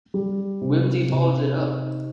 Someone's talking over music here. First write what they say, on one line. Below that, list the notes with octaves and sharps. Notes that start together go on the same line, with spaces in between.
Wimsey follows it up.
G3
C3
C3
D#4